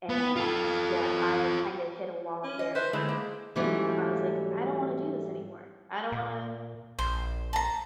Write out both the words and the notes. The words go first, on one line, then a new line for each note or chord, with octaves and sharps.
and, yeah, I kinda hit a wall there where, you know, I was like, "I don't wanna do this anymore. I don't wanna
B3
F4 A4
C#4
D#5
B4 C5 E5
D3 G#3 A3 E4
A#3
G#2 E3 F#3 G3 A3 C#4
A#2
A#1 C5
A5 A#5